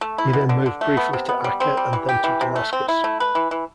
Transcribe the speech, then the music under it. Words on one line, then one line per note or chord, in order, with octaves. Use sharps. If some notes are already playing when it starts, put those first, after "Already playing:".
He then moved briefly to Akka and then to Damascus.
A3
E4
B2
D3
D3
A3
B3
C3
B3
G3
C4
G3
E3
G4
E3
C3
A3
C4
E4
A3
B4
E3
E3